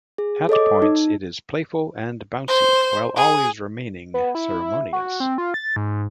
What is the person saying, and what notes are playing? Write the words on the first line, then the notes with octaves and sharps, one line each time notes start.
At points it is playful and bouncy, while always remaining ceremonious.
G#4
A4 C#5 D#5 D6
D#4
C5
G#4
B3
E4
F#4
C4
F4
A6
G#2